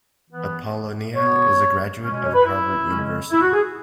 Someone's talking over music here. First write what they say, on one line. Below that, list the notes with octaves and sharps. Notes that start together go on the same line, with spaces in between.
Apollonia is a graduate of Harvard University.
E3 B3
B2 B3 C#5
B2 G#3 C#4
C#5
B4
E4
C#3 G#3 C#4
E4
F#4
G#4